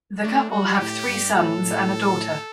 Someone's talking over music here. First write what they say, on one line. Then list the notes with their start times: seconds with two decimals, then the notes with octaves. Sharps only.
The couple have three sons and a daughter.
0.22 A3 D4
0.50 G3 F#4
0.78 A2 G4
1.06 G2
1.34 A2 A4
1.62 A2